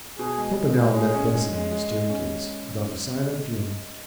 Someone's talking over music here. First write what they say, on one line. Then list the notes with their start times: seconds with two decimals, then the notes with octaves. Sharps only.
Torpenhow met Bessie on the staircase without a sign of feeling.
0.19 B2 G#4
0.38 G#3
0.57 G#3
0.76 G#3
0.95 G#3 G#4
1.15 C#4
1.34 G#3
1.53 G#3
1.71 G#3
1.91 G#3
2.10 C#4